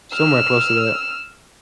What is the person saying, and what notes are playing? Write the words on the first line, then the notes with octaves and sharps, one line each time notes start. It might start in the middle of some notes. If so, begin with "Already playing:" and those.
somewhere close to that.
E6 F6